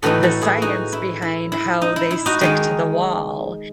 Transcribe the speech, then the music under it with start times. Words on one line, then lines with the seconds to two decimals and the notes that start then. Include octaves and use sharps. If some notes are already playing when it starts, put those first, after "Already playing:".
the science behind how they stick to the wall
0.02 A2 E3 A3 D#4 F#4 A4
0.23 F#4 A4
0.42 E4 G#4
0.62 D#4 F#4
0.93 E4
1.22 E4
1.52 E4
1.82 D#4
1.96 E4
2.11 E4
2.26 D#4 F#4
2.41 D#3 G#3 D#4